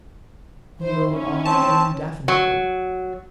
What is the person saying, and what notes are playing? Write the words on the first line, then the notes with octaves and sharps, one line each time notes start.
Kneel on indefinitely.
D#4 E4 C5
C#4
C4 A5
F#3